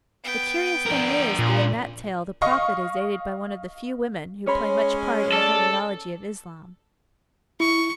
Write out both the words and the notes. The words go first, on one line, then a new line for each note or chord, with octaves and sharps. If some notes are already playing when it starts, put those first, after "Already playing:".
The curious thing is that in that tale the prophet is aided by one of the few women who play much part in the hagiology of Islam.
B3 G5
D4 A#4
A#2
D#5 F5 C#6
G#3 C#4 C#5 B5 C6
A4 D5 A5
E4 C#6